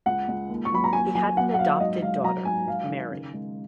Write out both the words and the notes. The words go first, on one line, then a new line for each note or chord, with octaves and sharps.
He had an adopted daughter, Mary.
C#2 F#5
C#2
D#2
C#6
F#3 B5
A#5
D#2 G#5
F#3 G#5
F#3 F#5
F#5
F#3 F5
G#2 D#5
G#3 F5
F#3 A#5
G#2 G#5
F#3 F5
D#3
C#3
G#3